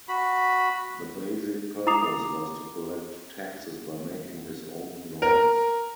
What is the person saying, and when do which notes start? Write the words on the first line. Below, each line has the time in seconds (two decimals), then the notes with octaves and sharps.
The basic purpose was to collect taxes by making his own laws.
0.08 F#4 B5
1.87 E4 A#5 D6 D#6 C7 F7
5.22 A#4